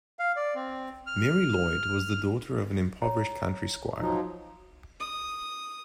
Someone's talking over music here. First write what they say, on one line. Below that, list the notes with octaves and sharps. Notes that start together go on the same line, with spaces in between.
Mary Lloyd was the daughter of an impoverished country squire.
F5
D5
C4
F6
C#5 A#5
F3 F#3 D#4
D#6